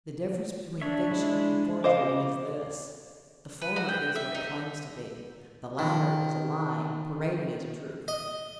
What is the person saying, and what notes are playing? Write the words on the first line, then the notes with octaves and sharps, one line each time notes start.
The difference between fiction and forgery is this: the former is, what it claims to be; the latter is a lie parading as a truth.
D4 C#5 E5
G#3 D4 E4
C#3 C5 D#5 F5 D6
B4
F#4
G5
E5
D#4
D#3
D#5